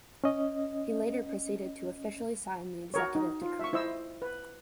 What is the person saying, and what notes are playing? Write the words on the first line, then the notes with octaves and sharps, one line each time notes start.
He later proceeded to officially sign the executive decree.
C#4 D#5
F#4 A#4 C#5
D#4
F4
E5 C#6
E4 C5 D#5 E6
B4